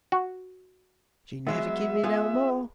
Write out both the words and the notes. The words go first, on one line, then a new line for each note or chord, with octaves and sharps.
"She never give me no more."
F#4
F#3 G#3 B3 E5
B3 F4 G#4